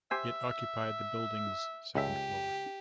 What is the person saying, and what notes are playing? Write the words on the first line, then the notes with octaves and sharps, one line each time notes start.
It occupied the building’s second floor.
G4 C5 E5 G#5
C#2 G4 E5